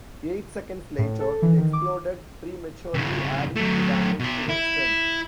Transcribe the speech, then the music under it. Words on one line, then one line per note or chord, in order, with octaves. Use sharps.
Eight seconds later, it exploded prematurely, adding to the damage to her stern.
A2
A4
E3
D#3
D6
F2 C#3
F#3 A3
B2 C6
E4